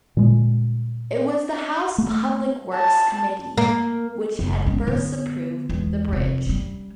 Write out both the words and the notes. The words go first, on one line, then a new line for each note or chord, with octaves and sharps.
It was the House Public Works Committee which had first approved the bridge.
A#2 D3 G3 G#3
A3
A5
A#3
F#1 E2
G#3 C#4
D3 B3
E2 G#3
F1
G3 C#4